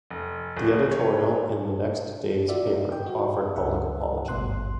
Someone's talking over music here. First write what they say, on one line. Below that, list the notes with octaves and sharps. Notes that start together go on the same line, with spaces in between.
The editorial in the next day's paper offered a public apology.
F1
D1
C#5
D4 F4 F#4 D5 E5
D#4
G5
F#4
C#2 E5 F#5
G#1 D2 G2 B2 C6 F#6